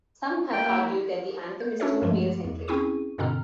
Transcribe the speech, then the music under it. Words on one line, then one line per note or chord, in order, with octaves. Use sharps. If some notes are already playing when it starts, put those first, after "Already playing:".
Some have argued that the anthem is too male-centric.
A#3 E4 G5
G6
C#4 D4 F#4 A4 C#5 E5
G2 F3 G#3 A3
E2
C4 C#4 E4 G#4 C#6 D#7
G2 B2 D3 C4 A#5 F6